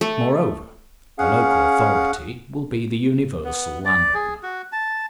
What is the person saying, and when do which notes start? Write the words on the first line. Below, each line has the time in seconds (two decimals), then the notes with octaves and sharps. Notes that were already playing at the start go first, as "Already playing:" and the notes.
Moreover, the local authority will be the universal landowner.
0.01 A3
1.19 C#4 G#4 F5 F#5
3.44 B3
3.85 D5
4.14 G#4
4.43 F#4
4.72 A5